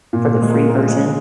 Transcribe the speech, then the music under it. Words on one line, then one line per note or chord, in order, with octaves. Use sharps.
for the free version.
A#2
G#3
A#3
A#3
G#3